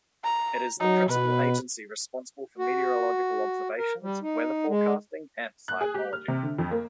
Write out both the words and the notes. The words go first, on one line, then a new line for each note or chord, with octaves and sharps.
It is the principal agency responsible for meteorological observations, weather forecasting and seismology.
A#5
F#3 D#4
B2 B4
F#4
A#4
G3
D#4
G#3
F#6
G#4
G4
F6
C3
D3
F2
A#3